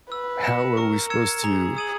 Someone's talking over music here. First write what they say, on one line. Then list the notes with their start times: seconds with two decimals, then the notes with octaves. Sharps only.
how are we supposed to
0.11 B4 E6
0.44 A#6 C#7 E7
0.77 A#4 C#6
1.10 E6 G#6 C#7 E7
1.43 G#4 A#5
1.77 D#6 G#6 D#7 F#7